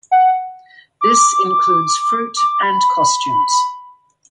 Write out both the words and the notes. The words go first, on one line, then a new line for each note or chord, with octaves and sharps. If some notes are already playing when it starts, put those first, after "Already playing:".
This includes fruit and costumes.
F#5
D6
D6
B5